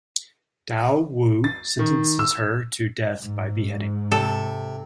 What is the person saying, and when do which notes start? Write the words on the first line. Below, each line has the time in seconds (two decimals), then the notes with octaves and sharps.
Tao Wu sentences her to death by beheading.
1.44 A6
1.79 D#3
2.19 E6
3.20 G#2
4.12 C3 A4